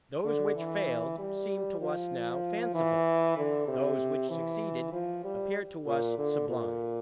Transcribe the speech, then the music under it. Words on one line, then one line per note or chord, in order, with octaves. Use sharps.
Those which failed seem to us now fanciful, those which succeeded appear to us sublime.
D3
E3
G3
F3
E3
D3
C3
E3
F3
G3
A#2
D3
A#2